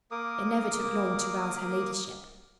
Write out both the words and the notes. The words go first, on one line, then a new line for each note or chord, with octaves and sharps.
It never took long to rouse her ladyship.
A#3 A#4 D6 D#6